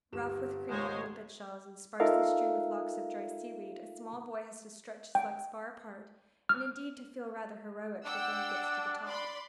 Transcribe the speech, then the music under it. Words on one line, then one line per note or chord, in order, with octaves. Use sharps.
Rough with crinkled limpet shells and sparsely strewn with locks of dry seaweed, a small boy has to stretch his legs far apart, and indeed to feel rather heroic, before he gets to the top.
G1 G4 E7
G#1 C#2 G#2 G#3 C5 C#5
D#4 F4 A4 A#4 E5 F5
G5
F6
D4 F#5 G5 E6
D5 B5 C6